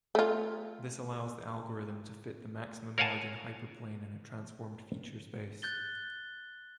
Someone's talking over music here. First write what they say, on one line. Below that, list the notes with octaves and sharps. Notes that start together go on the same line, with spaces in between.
This allows the algorithm to fit the maximum-margin hyperplane in a transformed feature space.
A3 F4
A#4 C#5 F5 F#5 G#5 A5
F#6 G6 A6 G7